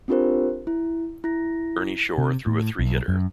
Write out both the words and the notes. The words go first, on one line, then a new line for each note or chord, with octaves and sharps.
Ernie Shore threw a three-hitter.
C4 D4 F4 G4 A#4 C5
E4
E4 A#6
C3
A2
B1
F#2